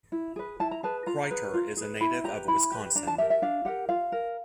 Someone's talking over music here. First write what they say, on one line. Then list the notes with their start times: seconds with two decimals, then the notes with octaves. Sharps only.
Kreiter is a native of Wisconsin.
0.12 E4
0.36 G#4 B4
0.60 E4 A5
0.71 A#5
0.83 G#4 B4 A5
1.06 F4 A#5
1.31 G#4 B4
1.54 F4
1.77 G#4 B4
2.00 E4 B5
2.24 G4 B4 A#5
2.48 E4 B5
2.72 G4 B4
2.95 D4 A#5
3.07 A5
3.18 G4 A#4 E5
3.30 E5
3.42 D4 F5
3.65 G4 A#4 F#5
3.89 F4 F5
4.12 A#4